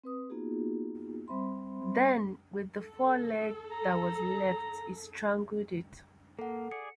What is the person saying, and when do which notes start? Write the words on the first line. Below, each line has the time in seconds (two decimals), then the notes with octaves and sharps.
Then with the foreleg that was left, it strangled it.
0.04 C4 B4 D#6
0.30 A#3 B3 D#4 F4 F#4 G#4
1.28 G3 C4 C5 E5 B5 C6
2.78 A4
3.71 A#5
6.39 A#3 A4 F#5
6.71 G#4 D5 C#7